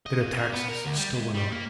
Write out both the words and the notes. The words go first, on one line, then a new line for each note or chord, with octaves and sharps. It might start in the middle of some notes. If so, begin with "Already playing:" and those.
The bitter taxes still went on.
D#5
A#2
A#3
B3
A#4
D2
G3
G#3
G3
A#3